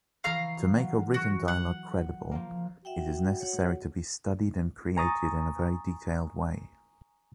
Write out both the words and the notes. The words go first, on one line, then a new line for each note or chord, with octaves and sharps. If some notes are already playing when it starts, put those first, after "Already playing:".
To make a written dialogue credible, it is necessary to be studied and created in a very detailed way.
E3 F5 A#5 C#6 F6
F#3
F#4
F#5
F3 A#3
F#4 E5 F#5 G5
C#5 F#5
G#5 A#5 C#6 D#6 A6